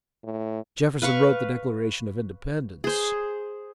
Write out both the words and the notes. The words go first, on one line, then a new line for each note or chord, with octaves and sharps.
Jefferson wrote the Declaration of Independence.
A2
B4 F5 C#6
G#4 C5